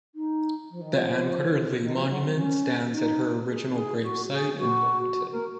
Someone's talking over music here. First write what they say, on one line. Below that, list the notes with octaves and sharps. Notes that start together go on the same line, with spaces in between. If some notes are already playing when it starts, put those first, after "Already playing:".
The Anne Carter Lee Monument stands at her original gravesite in Warrenton.
D#4
F3
D#3
F3
D#3
F3
F#3
C4
C#4
D#4
G#4
G#4
F#4
G#4
F#4
F#4
A#4